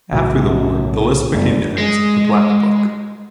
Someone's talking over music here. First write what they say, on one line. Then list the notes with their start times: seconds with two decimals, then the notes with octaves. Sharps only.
After the war, the list became known as The Black Book.
0.13 B1 F#2 A2 C#3
1.34 G1 F#2 A3
1.78 G#3